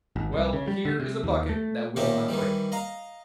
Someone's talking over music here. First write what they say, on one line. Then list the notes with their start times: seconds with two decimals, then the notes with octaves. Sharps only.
Well, here is a bucket that will not break.'
0.16 G#1
0.33 C2
0.53 C#3
0.68 G3
0.85 D3
1.00 C3
1.23 D#2
1.49 A3
1.96 A#2 D#3 C#4 G4 D#5 E5
2.28 D#3 E3 G3
2.72 D#5 F5 A#5